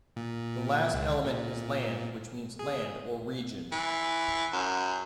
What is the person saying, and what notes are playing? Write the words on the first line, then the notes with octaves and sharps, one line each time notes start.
The last element is "land" which means "land" or "region".
A#2
C#2
A#2
G#4
E3
F#2